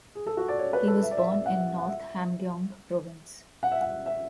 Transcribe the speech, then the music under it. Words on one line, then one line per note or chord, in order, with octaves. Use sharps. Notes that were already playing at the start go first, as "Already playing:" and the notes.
He was born in North Hamgyong Province.
G#4
A4
F#4
D5
C#5
B4
A4
E5
D5
E5
E5
F#5
E5
F#5
E5
F#5
E5
F#5
E5